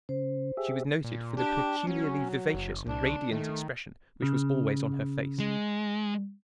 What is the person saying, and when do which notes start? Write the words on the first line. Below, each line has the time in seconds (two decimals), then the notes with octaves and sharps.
She was noted for the peculiarly vivacious and radiant expression which was always on her face.
0.09 C#3 C5
0.57 G4 G#4 E5
1.04 A#2
1.37 D4 G4
1.87 F#3 C#4
2.54 F#1
2.87 C2 D4
3.31 D#3 A3
4.22 C#3
5.39 G#3